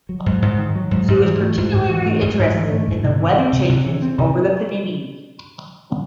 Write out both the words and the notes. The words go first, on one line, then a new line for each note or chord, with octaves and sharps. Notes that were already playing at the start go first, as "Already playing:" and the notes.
She was particularly interested in the weather changes over the Pennines.
F#3
G#2
G#2
D#3
F#3
G#2
G#2
E3
A3
G#2
G#2
E3
A3
G#2
G#2
E3
A3
G#2
C3
E3
C4
C3
C3
E3
C4
C3